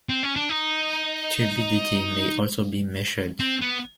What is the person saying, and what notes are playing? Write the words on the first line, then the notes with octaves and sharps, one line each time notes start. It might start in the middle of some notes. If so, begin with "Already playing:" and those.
Turbidity may also be measured.
C4
C#4
D4
D#4
C4
B3